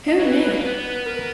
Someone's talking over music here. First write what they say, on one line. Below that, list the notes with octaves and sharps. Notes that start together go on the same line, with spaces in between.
Who knew?
D#5
F#3 C#5
E3 B4
F#3
A#3
B3
B4
A#4